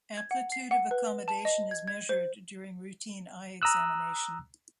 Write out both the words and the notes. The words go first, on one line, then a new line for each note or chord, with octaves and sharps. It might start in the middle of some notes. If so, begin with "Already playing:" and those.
Amplitude of accommodation is measured during routine eye-examination.
G#6
F#5
C7
F#5
B4
A5
D#5
G#6
G#6
C5
A#5 D#6 E6 F#6